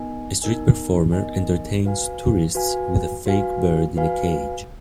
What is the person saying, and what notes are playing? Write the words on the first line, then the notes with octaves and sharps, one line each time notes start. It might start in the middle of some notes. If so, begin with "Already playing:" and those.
A street performer entertains tourists with a fake bird in a cage.
Already playing: B3 D#4 A#4 D#5 G#5
B3 D#4 A#4 D#5 G#5
B3 D#4 A#4 D#5 G#5
F#4 B4 F5 G#5
F#4 B4 F5 G#5
F#4 B4 F5 G#5
F#4 B4 F5 G#5